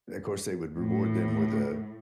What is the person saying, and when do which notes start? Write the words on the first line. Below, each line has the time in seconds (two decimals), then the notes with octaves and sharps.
of course, they would reward them with a
0.78 A2